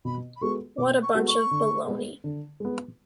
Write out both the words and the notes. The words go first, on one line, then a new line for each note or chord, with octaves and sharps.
What a bunch of baloney!
B2 B5
B5
G#3 B3 F#4 A4 C#6
B2 D6
C#6
G#3 B3 F#4 A4
C#6
D3
G#3 B3
D3
G#3 B3